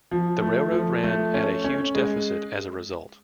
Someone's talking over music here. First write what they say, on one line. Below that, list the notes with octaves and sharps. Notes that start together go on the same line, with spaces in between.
The railroad ran at a huge deficit as a result.
F3
A3
F3
A3
C#4
C#4
G#3